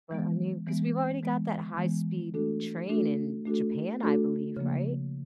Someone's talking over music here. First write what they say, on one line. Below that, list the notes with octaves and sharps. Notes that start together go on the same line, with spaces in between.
But, I mean, 'cause we've already got that high-speed train in Japan, I believe, right?
E3 G#3 B3
E3 G#3 B3
E3 G#3 B3
E3 G#3 B3
A3 D4 F#4 A4
A3 D4 F#4 A4
A3 D4 F#4 A4
A3 D4 F#4 A4
C#3 F3 A#3